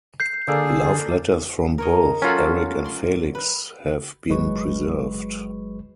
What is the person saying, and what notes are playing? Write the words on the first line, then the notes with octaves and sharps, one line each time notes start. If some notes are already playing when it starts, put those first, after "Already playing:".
Love letters from both Eric and Felix have been preserved.
G6 C7
D3 A#3 G#4 A4 D5
A#4 C#5 D#5
F#3 C#4 F4 F#4 A4 B5
D5 C6
B4
G1 F#3 G#3 B4 C#6